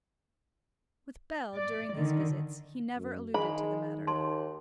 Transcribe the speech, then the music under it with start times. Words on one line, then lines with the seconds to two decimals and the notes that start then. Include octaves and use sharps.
With Bell during these visits he never alluded to the matter.
1.56 D5
1.96 D3 D#3
2.97 F#2
3.34 D#3 G#3 G#4 A5 B5
4.07 D#2 A5 C6